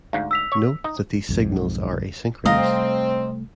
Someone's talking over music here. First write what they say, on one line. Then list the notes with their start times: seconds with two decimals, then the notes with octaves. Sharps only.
Note that these signals are asynchronous.
0.13 D2 G#2 F5
0.31 E6 B6 F7
0.52 C#5
0.84 D#4 D#6
1.29 B1 F2 G#2
2.45 C3 G3 A3 C4 D#5 F5 A#5